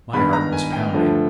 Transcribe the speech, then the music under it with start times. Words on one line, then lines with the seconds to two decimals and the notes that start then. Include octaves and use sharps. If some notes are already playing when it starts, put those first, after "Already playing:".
My heart was pounding.
0.13 G2 D#3 G#3 B3 B5
0.33 A#5
0.53 G#5
0.73 G5
0.93 G2 D3 F3 A3